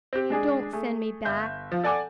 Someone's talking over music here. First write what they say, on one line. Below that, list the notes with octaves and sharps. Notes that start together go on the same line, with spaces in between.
Don't send me back!
C4 G4
G#3 D4 G#4
A3 G#4
G1 E5 G6
F3
A4 D5 F#5 G#5 D6